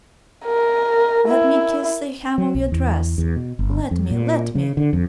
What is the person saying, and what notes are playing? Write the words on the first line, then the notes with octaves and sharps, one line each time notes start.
Let me kiss the hem of your dress, let me, let me....
A#4
E4
F#3
B1
E2
E2
B2
G1
F2
A#2
C#3
D3
F2